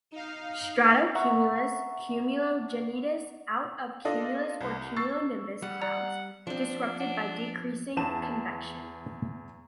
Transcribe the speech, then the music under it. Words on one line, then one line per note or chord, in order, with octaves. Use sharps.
Stratocumulus Cumulogenitus out of cumulus or cumulonimbus clouds, disrupted by decreasing convection.
D#4 F5
E5 F#5 A#5 C#6
D4 F4 A4 D5 D#5
C2
C#6 E6 A6 C7
G3 F#5
D5 F#5 A#5
F3 C4 D4
D4 F#5
E2 A5 E7